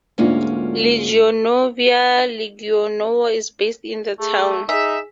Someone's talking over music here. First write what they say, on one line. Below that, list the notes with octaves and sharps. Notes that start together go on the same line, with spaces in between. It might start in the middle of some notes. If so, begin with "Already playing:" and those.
Legionovia Legionowo is based in the town.
D2 G#2 A#3 C#4 D4 F4
A3 G#4
D#4 G#4 E5 G#5